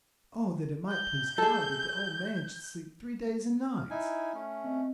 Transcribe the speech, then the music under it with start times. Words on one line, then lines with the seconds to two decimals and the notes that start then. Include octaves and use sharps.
Oh, that it might please God that the old man should sleep three days and nights!
0.89 G6
1.38 G#4 A4
3.78 F6
3.90 D#4 E4 G#5
4.35 A3 C#4
4.64 C4 D#5